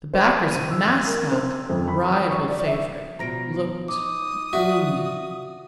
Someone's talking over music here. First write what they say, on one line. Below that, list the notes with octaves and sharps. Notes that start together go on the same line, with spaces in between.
The backers of "Mascot", the rival favourite, looked gloomy.
C5
D#7
E6
G#6
A#4
C4
F2
B5
D#6
C#6
D5
E5
B2 F3 A#5 A#6 D7
D#4 D6 D#6
F4 F#4 D5 E5